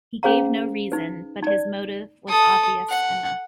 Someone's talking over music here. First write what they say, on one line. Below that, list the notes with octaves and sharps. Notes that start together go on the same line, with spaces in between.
He gave no reason, but his motive was obvious enough.
C#4 G#4 C5 F5 A#5
D#4 B4
D#4 D5
A4 D#6
F#5